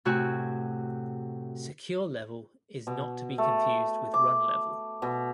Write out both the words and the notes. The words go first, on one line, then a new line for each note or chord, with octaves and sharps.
Securelevel is not to be confused with runlevel.
A2 C3 F#4 G#5 F#6
B2
A3
D6
B2